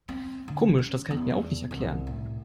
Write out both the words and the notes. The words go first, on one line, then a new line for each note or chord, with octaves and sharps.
Komisch, das kann ich mir auch nicht erklären.
C4
D3
C#4
E2
C2
A2